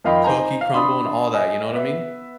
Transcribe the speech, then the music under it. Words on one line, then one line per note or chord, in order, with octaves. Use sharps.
cookie crumble and all that, you know what I mean?
F2 D#3 D#5 F5 G5 B5
D#4 C5 G#5 A#5
F5
D4 B5 C6 D#6
D#5 G#5
B3 E5